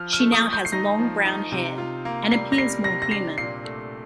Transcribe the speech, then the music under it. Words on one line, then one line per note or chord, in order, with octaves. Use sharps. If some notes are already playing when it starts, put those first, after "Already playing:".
She now has long brown hair, and appears more human.
Already playing: F3 F6
F6
A3
D#6
A3
G6
C7
D#4 A#6
F3
D#4
C3
F4
A#3
G3 C7
A#6
G3 C7
C3 A#6
A#6
D4 C7
A#2 C7
A3